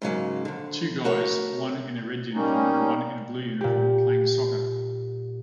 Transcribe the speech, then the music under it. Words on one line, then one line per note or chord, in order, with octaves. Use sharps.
Two guys one in a red uniform and one in a blue uniform playing soccer.
G#2 C#3 F#3 A#3
F2 D3
A3 F#4 A#4 C#5
G3 A#3 C#4 D#4
A#2 G4